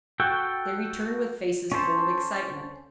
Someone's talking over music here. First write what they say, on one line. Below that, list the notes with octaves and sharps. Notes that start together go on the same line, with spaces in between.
They returned with faces full of excitement.
F#4 A4 G5
C#4 A4 C5